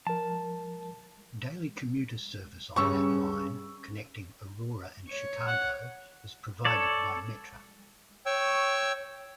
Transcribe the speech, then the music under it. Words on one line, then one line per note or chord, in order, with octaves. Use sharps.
Daily commuter service on that line, connecting Aurora and Chicago, is provided by Metra.
F3 A#4 A5
G2 C#3 C#4 C#6 E6
C#5
F#5
A4 C#5 D5
C#5 G5 C#6 E6